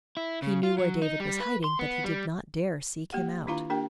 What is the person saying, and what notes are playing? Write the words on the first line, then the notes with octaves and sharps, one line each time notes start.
He knew where David was hiding, but he did not dare seek him out.
E4
C#3
F4
F#3
D#4
G3
B4
C6
B3
G3
A#3 G4 F#5
D#3 D4 E4 F4 F5 A#5
A#3 D4 G4 A#4 G5